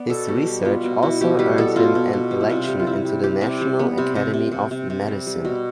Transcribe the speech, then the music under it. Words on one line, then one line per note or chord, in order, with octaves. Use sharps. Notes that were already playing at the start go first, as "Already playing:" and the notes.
His research also earned him an election into the National Academy of Medicine.
Already playing: B3 D5
B2 A4
B2 G4
G3
B3 F4
B2
B2 E4
B2 G4
G3 B4
B3 A4
B2 F4
B2
B2
G3
E4
C3 F4
G3
F4
C3 E4
G3
G3 G4
C3
G3
B3
C3
C3
C3
C3
C3
C3
G3
G3
B2